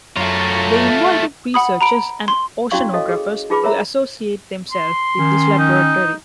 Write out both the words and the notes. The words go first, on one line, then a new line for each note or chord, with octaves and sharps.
They invited researchers and oceanographers to associate themselves with this laboratory.
F#2 A3 F4 C#5 A#5
F#5 B5 D#6
A#5 B5 D7
C6
C#4 E4 F#4 D5 F5 C#6
A4 C#5 D#5 F5
G#4
D#4 F4 G#4 B4 B5 D6
A#4 C#5 E5 A#5
C6
D#3 C#4
D#4